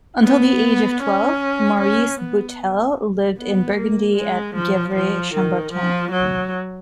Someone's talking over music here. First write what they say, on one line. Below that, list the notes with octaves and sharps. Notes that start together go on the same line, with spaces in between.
Until the age of twelve Maurice Boitel lived in Burgundy at Gevrey-Chambertin.
B3
C#4
C#4
B3
B3
A#3
G#3
F3
F3
D#3
F3
F#3